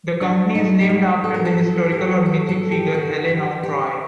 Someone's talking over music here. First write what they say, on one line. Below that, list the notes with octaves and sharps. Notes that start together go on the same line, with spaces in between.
The company is named after the historical or mythic figure Helen of Troy.
D4
D#4
G4
F#4
A4
A#4
A4
A4
G4
A4
A4
G4
F#4
G4
G4